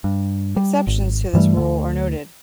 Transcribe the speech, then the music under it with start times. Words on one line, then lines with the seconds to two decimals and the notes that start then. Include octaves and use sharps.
Exceptions to this rule are noted.
0.04 G2
0.56 G3
0.87 G#1
1.33 G2 E3 G3 A3
1.57 D2 D3